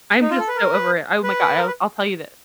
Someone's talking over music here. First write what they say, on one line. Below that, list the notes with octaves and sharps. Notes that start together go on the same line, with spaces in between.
I'm just so over it, oh my god, I'll I'll tell you this.
D#4
F4
A4
B4
A#4
B4
B4
A#4
B4